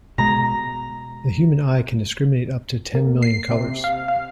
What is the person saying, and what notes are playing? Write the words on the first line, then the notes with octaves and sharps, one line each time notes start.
The human eye can discriminate up to ten million colors.
B2 G#3 A#5
A#3
C7
C3
F5
F5